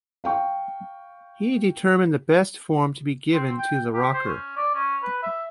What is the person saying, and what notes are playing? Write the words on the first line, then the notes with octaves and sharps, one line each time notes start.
He determined the best form to be given to the rocker.
F5 G5 C#6
C4
G5
G4
C5
C#4
D5
C#4
B4
E5